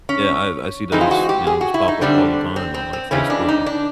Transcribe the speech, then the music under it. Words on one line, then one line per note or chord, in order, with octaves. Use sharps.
Yeah, I I see those, you know, those pop up all the time on, like, Facebook and
C#4
E3 G#3 C4 D#4
F4
F#4
G4
G#4
F#4
E4
D#4
D3 G3 C4 D4
C4
C4
C4
C#3 E3 G#3 C4 C#4
D4
D#4
D4